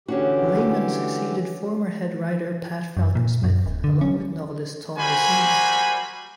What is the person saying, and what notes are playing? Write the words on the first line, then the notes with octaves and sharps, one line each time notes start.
Laiman succeeded former Head Writer, Pat Falken Smith, along with novelist Thom Racina.
D3 E3 C#4 D4 F#4 G4
F#2
A#2
F#2
D1
D3
C#4
G3 A#3 F#4 C5 G#5 B5